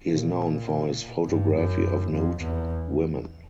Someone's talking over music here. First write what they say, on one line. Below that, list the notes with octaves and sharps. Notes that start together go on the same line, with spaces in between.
He is known for his photography of nude women.
A#2
G2
F#2
F2
E2